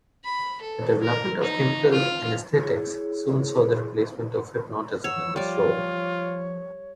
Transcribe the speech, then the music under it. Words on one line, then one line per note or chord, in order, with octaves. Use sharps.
The development of chemical anesthetics soon saw the replacement of hypnotism in this role.
B5
A4
A#4
D#4
F4
E4 G#4 C#5
C#5 F#5 E6
F3 G3 F4 C#5 D5